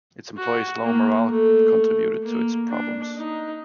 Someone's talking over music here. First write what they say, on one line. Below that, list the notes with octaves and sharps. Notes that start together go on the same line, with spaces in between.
Its employees' low morale contributed to its problems.
F#4
A#3
A3
A#3
D4
D#4